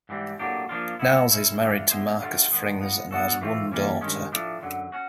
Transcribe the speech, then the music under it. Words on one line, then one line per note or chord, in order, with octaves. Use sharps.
Nahles is married to Marcus Frings and has one daughter.
G#2 E3 G3 C4
A2 F#3 A#3 D4 G4
F3 A#3 D4 F4
G#3 B3 E4
G#3 C#4 E4
G#2 E3 A3 D4 F4
G#3 B3 E4 G#4 C5
D3 F#3 A3 C4 F4
D#3 G#3 B3
F3 G#3 B3
F#3 B3 D4 F#4 A4
E3 A3 C4 F4
E3 G3 A#3 C#4
G2 D#3 G#3 C#4
A2 F3 A3 D4
F#2 D3 F#3
C#4 F#4